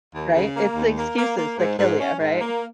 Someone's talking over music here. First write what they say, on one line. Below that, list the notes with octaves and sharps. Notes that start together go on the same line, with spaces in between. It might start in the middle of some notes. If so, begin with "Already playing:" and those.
right? It's the excuses that kill you, right?
D#2
C#3
A#3
D#2
A#3
A#3
A#3
G#2
G#2
C#4
G#2
A#3